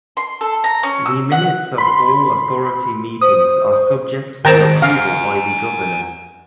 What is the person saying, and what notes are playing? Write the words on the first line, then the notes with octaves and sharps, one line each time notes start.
The minutes of all Authority meetings are subject to approval by the Governor.
C6
A4
A#5
C#4
E6
F#5
B5 C6
C5 D#6
D#3 C4 A#4 C5 G5 A5 A#5
F5 F#5 G#5